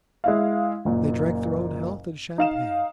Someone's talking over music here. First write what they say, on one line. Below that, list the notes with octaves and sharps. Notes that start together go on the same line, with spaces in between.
They drank their own health in champagne.
G#3 E4 F5
F#1 A#2
D#4 F5 E7